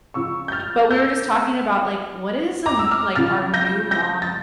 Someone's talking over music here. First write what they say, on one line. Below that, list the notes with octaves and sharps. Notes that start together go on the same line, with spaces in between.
But we were just talking about, like, what is, um, like, our new mom,
C#3 F3 C#6 E6
G6
F6 A6
E6 G6
A#5 D6
E6
D6 F6
C#3 F3 F6 A6
G6 A#6
G6 A#6
A6